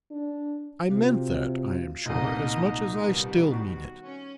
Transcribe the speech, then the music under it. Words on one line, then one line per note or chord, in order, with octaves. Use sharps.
I meant that, I am sure, as much as I still mean it.
D4
C3 F4 F#4 F5
C2 A#2 A3 A#3 D#4 D#5
B2 D#3 G3
F#4
C#4